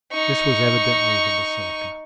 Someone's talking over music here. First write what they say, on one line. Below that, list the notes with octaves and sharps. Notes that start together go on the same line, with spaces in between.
This was evidently the basilica.
D#4 C#6